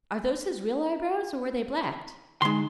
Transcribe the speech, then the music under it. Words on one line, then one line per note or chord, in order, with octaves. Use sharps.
"Are those his real eyebrows or were they blacked?"
D3 G#3 D#4 C6